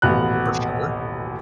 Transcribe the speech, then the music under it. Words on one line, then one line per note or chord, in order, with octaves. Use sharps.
For sure.
D#1 A1 B2 B3 F5 F#6